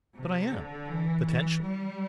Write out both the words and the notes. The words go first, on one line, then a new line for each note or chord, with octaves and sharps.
"But I am, potentially."
C3
D3
E3
E3
G3